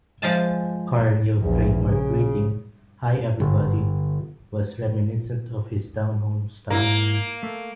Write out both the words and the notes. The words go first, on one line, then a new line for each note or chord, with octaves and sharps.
Carneal's trademark greeting, "Hi everybody", was reminiscent of his down-home style.
F3 G#3 A5
A#1 E2
C#3
G1
G#2 A#3 E4 A#5
A3